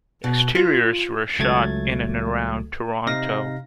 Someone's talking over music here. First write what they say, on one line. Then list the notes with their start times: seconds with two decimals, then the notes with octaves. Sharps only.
Exteriors were shot in and around Toronto.
0.24 B2
0.55 F4
1.39 C#2 F#3 A3 G#6 A6
3.07 C3 D#4 F5 A#6